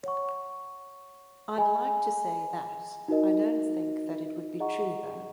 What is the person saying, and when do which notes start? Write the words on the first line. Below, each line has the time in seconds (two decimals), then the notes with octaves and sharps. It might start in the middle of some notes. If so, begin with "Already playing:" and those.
I'd like to say that; I don't think that it would be true, though.
0.03 C#5 F#5 C#6
1.56 G#4 D#5 G#5 B5
3.08 D#4 F#4 A#4 D#5
4.60 G#4 D#5 F#5 A#5 C#6